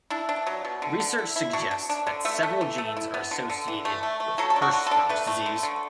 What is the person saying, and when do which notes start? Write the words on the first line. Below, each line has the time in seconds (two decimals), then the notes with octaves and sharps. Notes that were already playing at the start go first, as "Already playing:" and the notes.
Research suggests that several genes are associated with Hirschsprung's disease.
0.10 D4 E4
0.29 D4
0.47 F#3
0.65 B2
0.82 D3
1.00 D3
1.18 E4
1.36 E4
1.53 D4 F#4
1.71 D4
1.89 D4
2.07 D3
2.25 A3 E5
2.43 A3
2.61 E3
2.78 A3
2.97 E4
3.14 B3
3.31 D3
3.50 D3
3.68 E3
3.85 A3
4.03 A3
4.20 A3
4.38 F#3 A4
4.50 A4
4.56 D4
4.62 F#4
4.73 D3
4.87 A4
4.91 D4
5.09 A3 B4
5.27 A3
5.46 D3
5.63 D3